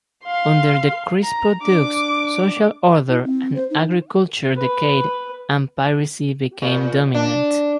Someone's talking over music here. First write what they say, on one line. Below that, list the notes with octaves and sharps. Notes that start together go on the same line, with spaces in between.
Under the Crispo dukes, social order and agriculture decayed, and piracy became dominant.
F5 C6
A#5
D4 D6
E4
C4
C5
D#4
B4
A#2
D4